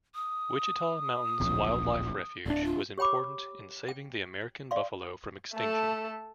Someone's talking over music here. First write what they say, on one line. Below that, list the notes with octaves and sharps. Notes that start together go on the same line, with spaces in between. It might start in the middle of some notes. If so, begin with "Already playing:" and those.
Wichita Mountains Wildlife Refuge was important in saving the American buffalo from extinction.
D#6
D1 A#1
D1 D4 D5
F4
G4 C#5 G5 B5 D6
G5
D5 F5 C6
A3 A4